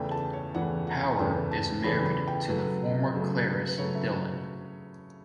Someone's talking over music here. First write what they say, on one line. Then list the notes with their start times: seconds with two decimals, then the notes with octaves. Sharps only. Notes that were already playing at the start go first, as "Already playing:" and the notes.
Power is married to the former Clarice Dillon.
Already playing: E2 C#3 E3 A3 G5
0.11 A5
0.33 C#5
0.54 E2 C#3 E3 A3 F#5
0.87 F#5
1.19 E2 C#3 E3 A3 G5
1.51 A5
1.84 E2 C#3 E3 A3 B5
2.06 B5
2.28 G5
2.49 C#3 F#3 A3 B4
3.14 C#3 F#3 A3
3.68 B4
3.78 C#3 F#3 A3 C#5
3.95 E5